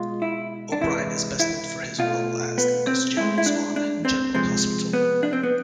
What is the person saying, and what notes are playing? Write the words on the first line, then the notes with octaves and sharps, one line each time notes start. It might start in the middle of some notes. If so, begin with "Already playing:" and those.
O'Brien is best known for his role as Lucas Jones on "General Hospital".
Already playing: B2 G#3 F4
E4
D4
C3 E3 G#3 E4
E4
B2 A3 F4
B3
C4
A2 G#3 E4
E4
D4
D4
C4
C3 F3 G#3 C4
B3
D4
C4
B3